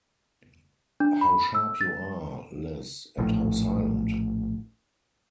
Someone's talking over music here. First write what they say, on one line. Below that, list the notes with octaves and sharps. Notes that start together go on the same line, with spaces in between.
How sharp you are, Liz, and how silent!
D4
B5
E6
A6
A#1 A2